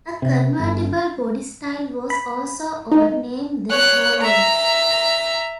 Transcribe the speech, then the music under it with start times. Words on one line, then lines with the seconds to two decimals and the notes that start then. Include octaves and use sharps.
A convertible body style was also offered, named the Volante.
0.22 C3
0.59 G1
2.10 B5
2.91 D#4
3.70 C#5 F#6
4.21 E5 A#5